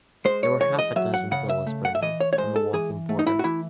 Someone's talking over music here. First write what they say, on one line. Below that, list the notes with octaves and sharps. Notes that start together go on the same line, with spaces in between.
There were half a dozen villas burning on the Woking border.
G#3 C5
C#5
E3 C#5
D#5
F#3 E5
F#5
C#3 F#5
E5
A3
F#5
E5
E3 D#5
C#5
C#5
G#3 C5
A4
E3 G#4
A3
D#4
E4
F#4
E3 E4